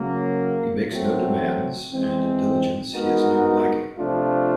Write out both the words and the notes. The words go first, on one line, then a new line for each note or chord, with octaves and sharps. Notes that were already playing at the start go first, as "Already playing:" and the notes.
He makes no demands, and in diligence he is never lacking.
Already playing: C#3 F#3 A#3
F#3 A3 C4
E3 G#3 C4
G#3 B3 D#4 F#4 A#4
C3 F3 A3 D4 F4